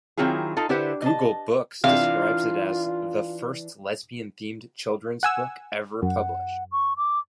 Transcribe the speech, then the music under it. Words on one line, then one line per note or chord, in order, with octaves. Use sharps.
Google Books describes it as "the first lesbian-themed children's book ever published".
D#3 F#3 C4 E4 F4 G#4
D#4 F4 A4
D3 E4 G4 B4 C5 F#5
D#5 A5
C3 E3 D4 F4 F5
F#5 G#5 E6
F#2 F#5
C#6
D6